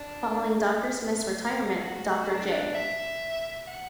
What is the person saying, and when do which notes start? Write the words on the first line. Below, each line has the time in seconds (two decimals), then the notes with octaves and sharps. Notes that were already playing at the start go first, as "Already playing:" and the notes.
Following Doctor Smith's retirement, Doctor J.
Already playing: D4
1.82 F#4
2.05 F#4
2.29 D4
2.75 E5
3.68 F#5